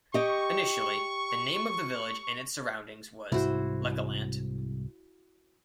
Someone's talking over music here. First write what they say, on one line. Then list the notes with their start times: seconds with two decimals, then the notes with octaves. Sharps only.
Initially the name of the village and its surroundings was "Leckelant".
0.14 G4 D#5 C#6
3.32 C2 G#2 E4 F#4 C5